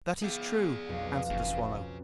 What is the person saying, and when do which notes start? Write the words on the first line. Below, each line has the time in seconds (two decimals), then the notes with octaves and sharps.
'That is true,' answered the swallow.
0.23 G#4 D5 F5
0.88 B1 F2 F5
1.30 F#1 C#3